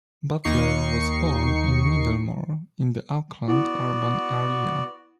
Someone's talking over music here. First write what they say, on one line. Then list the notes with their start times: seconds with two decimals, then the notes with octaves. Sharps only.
Butler was born in Middlemore in the Auckland urban area.
0.44 D#2 D#4 C#6 C7 C#7
3.48 B3 E4 F#4 D5